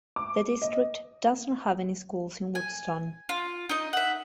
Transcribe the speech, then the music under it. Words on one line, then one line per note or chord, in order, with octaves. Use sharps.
The district doesn't have any schools in Woodston.
D6
D#5
G#5
F4
D#4 D#5
E5 F#5